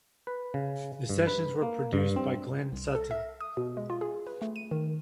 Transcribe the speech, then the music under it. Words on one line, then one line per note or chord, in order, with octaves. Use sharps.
The sessions were produced by Glenn Sutton.
B4
C#3
G2
B4
A#3
G2
C4
C2
A4
E5
D#6
B2
G#3
F4
G#4
B4
A3
D#7
D#3